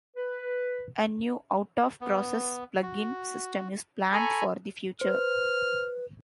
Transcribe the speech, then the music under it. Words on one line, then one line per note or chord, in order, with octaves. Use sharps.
A new, out-of-process plugin system is planned for the future.
B4
B3
F#4
A4 G#5 A#5 B5 C#6
B4 C5 F6